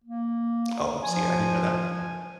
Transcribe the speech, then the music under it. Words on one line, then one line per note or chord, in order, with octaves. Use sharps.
Oh, see, I didn't know that.
A#3
F3 G#5